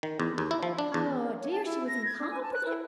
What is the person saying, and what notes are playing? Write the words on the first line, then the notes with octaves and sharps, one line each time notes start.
Oh dear, she was incompetent!
D#3
E2
D#2
E4
F3
D4
E2
C#5
A5
E4
A#6
G#6
D4
G#5
A5
F#6
E4